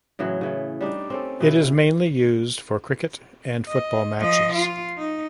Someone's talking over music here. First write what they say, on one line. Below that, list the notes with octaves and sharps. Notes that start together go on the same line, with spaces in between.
It is mainly used for cricket and football matches.
A2 C#3 E3 F#3
C#3 E3 A3
G3 D4 D#4
C4 C#4 A4
B2 E4
D#5
F3 D#5
F4
D#4